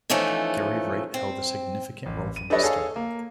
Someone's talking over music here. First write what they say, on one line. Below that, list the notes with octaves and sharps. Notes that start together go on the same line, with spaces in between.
Gary Wright held a significant role from the start.
E3 F3 A3 C#4 D#4
C4
A1
D#7
D4 G4 A4 B4 C#5 D#5
G#4 A4 C#5 F5
A#3